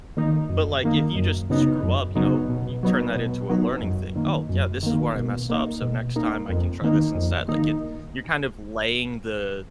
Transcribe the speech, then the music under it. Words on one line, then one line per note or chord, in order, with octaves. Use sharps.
But, like, if you just screw up, you know, you turn that into a learning thing. Oh, yeah, this is where I messed up, so, next time I can try this instead. Like, it you're kind of laying the,
D#3 A#3 D#4
F#2
D#3 A#3 D#4
F#2
C#3 F#3 B3 D#4
F#2
C#3 F#3 B3 D#4
B2
F#3 B3 D#4
B2
F#3 B3 D#4
F#2
D#3 A#3
F#2
D#3 A#3
B2
A#3 D#4
B2
A#3 D#4
F2
D#3 A#3 D#4
F2
D#3 A#3 D#4